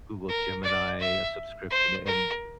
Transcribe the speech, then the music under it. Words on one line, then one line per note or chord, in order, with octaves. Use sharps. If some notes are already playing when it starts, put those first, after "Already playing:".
Google Gemini subscription, and
A#4
D5
E5
C5
A#4